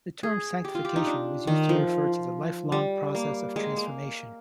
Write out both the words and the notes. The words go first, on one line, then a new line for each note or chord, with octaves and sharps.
The term "sanctification" was used to refer to the lifelong process of transformation.
G#4
G4
F4
G4
D#4
D4
D#3
F3
G3
A#3
G#3
A#3